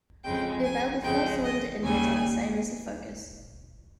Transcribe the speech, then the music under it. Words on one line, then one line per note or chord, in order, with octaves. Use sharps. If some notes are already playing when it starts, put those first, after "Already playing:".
The available four-cylinder engines are the same as the Focus.
F2 C#3 G#3 G5
G#5
F2 C#3 G#3 G5
D#5
D#2 C#3 G3 G#5